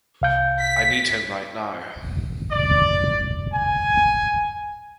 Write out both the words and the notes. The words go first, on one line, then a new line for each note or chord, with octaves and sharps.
I need him right now.
C2 F5 G6
B6
D5
G#5